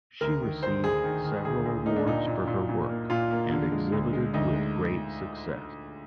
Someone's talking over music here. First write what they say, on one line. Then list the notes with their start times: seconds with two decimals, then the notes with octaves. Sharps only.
She received several awards for her work and exhibited with great success.
0.21 D2 A#4
0.42 D#3
0.63 D2 C5
0.84 D2 G#4
1.04 D#3
1.24 D#3
1.45 D2 G#4
1.65 D2
1.86 A#3 D#4
1.96 D4
2.06 A#2 D#4
2.27 A#2
2.47 A#2
2.69 A#2
2.89 A#3
3.10 A#2 F4
3.31 A#3
3.51 D3
3.72 G#3
3.92 D2
4.13 G#3
4.34 D2 D#4
4.54 G#3